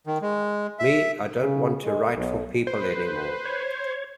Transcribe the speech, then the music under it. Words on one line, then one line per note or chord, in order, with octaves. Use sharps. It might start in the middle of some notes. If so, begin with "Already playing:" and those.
Me, I don't want to write for people anymore.
D#3
G#3
E5
C#3
G#3
B1
B4 C5
C#5